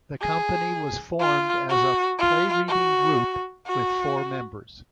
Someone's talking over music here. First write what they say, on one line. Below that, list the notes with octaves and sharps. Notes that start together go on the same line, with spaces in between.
The Company was formed as a 'play-reading group' with four members.
G#4
F4
F#4
F4
F#4
F#4